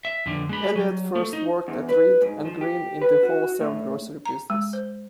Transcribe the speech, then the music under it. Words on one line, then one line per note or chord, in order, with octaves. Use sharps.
Eliot first worked at Reed and Green in the wholesale grocery business.
E5
F2 D3
G#3 B5
F#3
A3
D#4
E2
B4
G#2
F3
G4
B4
F#4
A2
A#5
G#3
C5